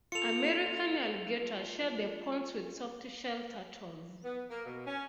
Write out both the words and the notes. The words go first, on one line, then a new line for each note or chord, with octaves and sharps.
American alligators share the ponds with softshell turtles.
F4 A4 C#7 F7
B3
A#3
B2
C#4